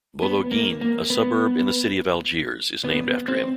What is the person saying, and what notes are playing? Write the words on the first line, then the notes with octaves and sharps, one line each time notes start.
Bologhine, a suburb in the city of Algiers, is named after him.
B3
A#3
A#3
B3
B3
C4